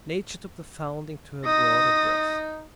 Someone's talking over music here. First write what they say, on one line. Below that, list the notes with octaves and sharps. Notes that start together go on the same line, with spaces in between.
Nature took the foundling to her broader breast.
D#4 D#6 A#6